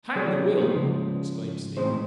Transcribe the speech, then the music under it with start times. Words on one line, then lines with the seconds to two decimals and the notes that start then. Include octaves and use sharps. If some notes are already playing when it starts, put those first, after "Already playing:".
"Hang the will!" exclaimed Stephen.
0.15 F#3 G#4 C#5 D5
0.57 A#3 B3 C#4 D#4
0.74 C#3 F3 G#3
1.77 A2 E3 G#3 C4 D#4 C5